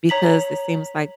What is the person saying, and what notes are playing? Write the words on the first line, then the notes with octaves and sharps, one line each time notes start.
because it seems like
C#5 A#5 B6 F#7